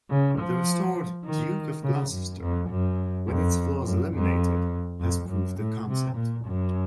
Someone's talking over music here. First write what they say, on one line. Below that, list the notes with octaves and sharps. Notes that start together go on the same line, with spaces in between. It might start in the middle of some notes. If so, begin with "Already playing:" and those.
The restored "Duke of Gloucester", with its flaws eliminated, has proved the concept.
C#3
F3
D#3
C#3
F#2
F2
F#2
F2
F#2
F2
F2
F#2
A2
C3
A#2
F#2